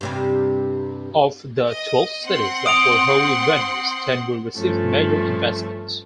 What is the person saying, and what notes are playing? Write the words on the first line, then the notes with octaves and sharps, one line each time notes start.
Of the twelve cities that will hold venues, ten will receive major investments.
G2 C3 G3
D#5
C4 F#5 C6
D#6 D7 F7
G2 F3 A3 C#4